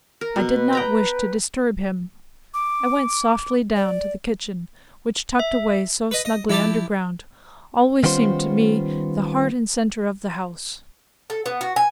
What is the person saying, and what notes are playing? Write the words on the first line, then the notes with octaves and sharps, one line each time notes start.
I did not wish to disturb him. I went softly down to the kitchen which, tucked away so snugly underground, always seemed to me the heart and center of the house.
A#4
B2
B4
G5 A#5 B5
D6
D5
E5
B4 D#5
D#5
F3 E4 G4 A5
D#3 G3 B3 C#4 F4 C5
A4
B3
F#4
G#5